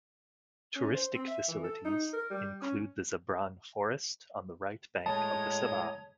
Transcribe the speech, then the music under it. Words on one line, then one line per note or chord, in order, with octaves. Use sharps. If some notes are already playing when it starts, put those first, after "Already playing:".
Touristic facilities include the Zabran forest on the right bank of the Sava.
C#4
C5
C4
E5
E3
A4
D#4
A#4
G3
C#4
A2 G#3 C#5 A5 A#5 D#6